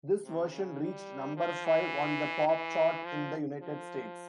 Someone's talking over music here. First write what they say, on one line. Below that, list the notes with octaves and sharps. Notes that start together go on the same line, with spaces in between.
This version reached number five on the pop chart in the United States.
C3
C#3
G3
F3
E3
E3
F3
F3